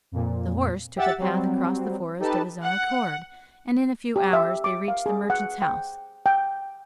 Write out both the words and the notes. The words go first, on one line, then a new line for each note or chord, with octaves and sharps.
The horse took a path across the forest of his own accord, and in a few hours they reached the merchant's house.
F2 A#2
G4 E5 F#5 E6 A6
F#3 G3 C4
D#4 G4 A4 B4 A5
F#5
G4
E5
D6
F5
G#4
F#5
G5
G5